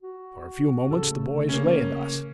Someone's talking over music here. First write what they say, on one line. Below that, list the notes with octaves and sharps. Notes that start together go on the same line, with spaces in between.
For a few moments the boys lay thus.
F#4
A1 C#3 A4
A3
A#3 C#4